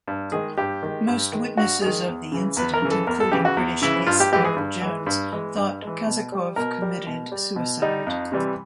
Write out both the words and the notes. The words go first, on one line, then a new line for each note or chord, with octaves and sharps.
Most witnesses of the incident, including British ace Ira Jones, thought Kazakov committed suicide.
G2
D#3 G#3 G#4
G2 G4
D#3 G#3
G2
D#3 G#3
G2 F#4
D#3 G#3 G#4
E2
C#3 E3
E2 B4
A#4
C#3 E3
A4
E2 A#4
A4
C#3 E3 G4
F#4
E2
C#3 E3 E4
G2 F4
G4
E3 G#3 G4
G#4
G2
E3 G#3
G2
E3 G#3
G2
E3 G#3
B2
G3
B2 A#4
G3
B2
G3
B2
G3 D#4
F2
C3 E3 G3